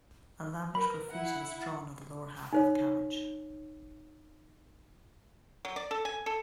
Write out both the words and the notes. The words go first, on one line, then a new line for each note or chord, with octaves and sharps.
Elaborate graffiti was drawn on the lower half of the carriage.
A#4 B4 B5
E4 E5 F#5
D#4 C5 C#5
F#3
D5
A4
G#5
A4